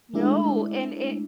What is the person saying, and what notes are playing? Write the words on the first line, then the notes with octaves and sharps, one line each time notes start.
No. And it
G#3 A3 D4 E4